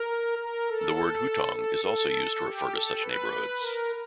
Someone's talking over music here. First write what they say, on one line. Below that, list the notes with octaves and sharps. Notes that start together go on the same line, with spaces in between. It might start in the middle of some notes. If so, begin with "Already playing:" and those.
The word hutong is also used to refer to such neighbourhoods.
Already playing: A#4
A#4
A4
A4
A4
G4
A4
B4
A#4